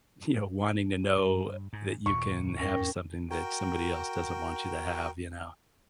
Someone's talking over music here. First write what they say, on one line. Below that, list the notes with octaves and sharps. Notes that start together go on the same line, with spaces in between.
you know, wanting to know that you can have something that somebody else doesn't want you to have, you know?
G2
G#2
D#1 D#2 A#2 C#6
E2 G#2 C#4 A#4 G5
F#4 A#4 G5